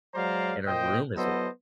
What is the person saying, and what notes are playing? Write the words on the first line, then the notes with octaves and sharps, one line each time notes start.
and her room is a
F#3 G#3 C5 D5 F5 A#5
A#2 A#3 C5 D#5 G5
F#3 B3 E4 A4 C5 D#5